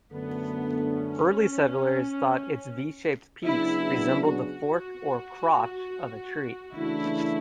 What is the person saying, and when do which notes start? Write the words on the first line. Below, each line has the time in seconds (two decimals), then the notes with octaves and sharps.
Early settlers thought its V-shaped peaks resembled the fork or "crotch" of a tree.
0.12 F#2 D3 A3 B3 D4 A4
0.95 C#4
3.44 C#3 F#3 B3 D4 E4 G#4
4.27 F#4
6.76 C#3 E3 A3 D4 E4